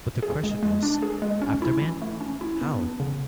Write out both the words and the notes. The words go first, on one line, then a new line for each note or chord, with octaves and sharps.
But the question is: After Man, how?
G#4
G#3
G#3
D4
G#4
G#3
C#4
E4
E3
A3
C#4
E4
B3
D4
C#3